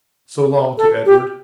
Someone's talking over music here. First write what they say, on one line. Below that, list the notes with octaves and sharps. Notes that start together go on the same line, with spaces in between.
"So long," to Edward.
A4
G4